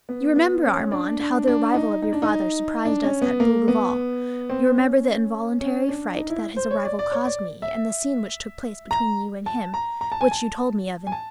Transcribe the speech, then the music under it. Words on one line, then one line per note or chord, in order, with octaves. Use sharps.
You remember, Armand, how the arrival of your father surprised us at Bougival; you remember the involuntary fright that his arrival caused me, and the scene which took place between you and him, which you told me of in the evening.
B3
B3
C#4
D4
D4
D4
D#4
D#4
D4
D#4
D4
C#4
B3
A#3
B3
C4
C#4
C#4
D4
D#4
E4
C5
C#5
D5
D5
C#5
D5
E5
A#5
A5
A#5
A#5
A5
G#5
A5
G#5
A5